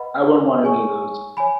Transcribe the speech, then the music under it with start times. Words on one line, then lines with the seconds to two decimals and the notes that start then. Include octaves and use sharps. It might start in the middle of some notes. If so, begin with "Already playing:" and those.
I wouldn't want any of those.
Already playing: B4 D#5 F#5 B5
0.63 G#4 C#5 G#5 C#6
1.37 C#5 G#5 B5